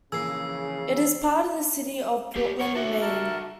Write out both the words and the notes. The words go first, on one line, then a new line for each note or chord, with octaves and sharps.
It is part of the city of Portland, Maine.
A#1 C#3 E3 A#3 G#4 E6 C7
A#3 G4
A#4 C#5
F#4 A4 E5
A#4 A5